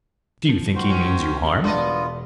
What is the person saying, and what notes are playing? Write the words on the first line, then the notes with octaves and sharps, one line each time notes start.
"Do you think he means you harm?"
F3
D#3 F#4 C5
F#3 C#4
G2
E1 B3 D4 F4 D5 D#5